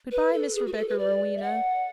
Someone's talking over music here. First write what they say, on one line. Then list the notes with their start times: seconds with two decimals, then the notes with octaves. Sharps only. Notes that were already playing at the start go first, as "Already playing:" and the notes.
Good-by Miss Rebecca Rowena!
0.11 B4
0.33 A4
0.55 G#4
0.67 F#4
0.73 B4
0.77 A4
0.88 B4
0.99 D5
1.37 E5
1.42 F#5